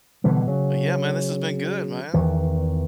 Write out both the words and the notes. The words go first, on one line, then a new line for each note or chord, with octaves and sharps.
But, yeah, man, this has been good, man.
B2 D3 E3 G3
C#3 F#3
E2 D#3 E3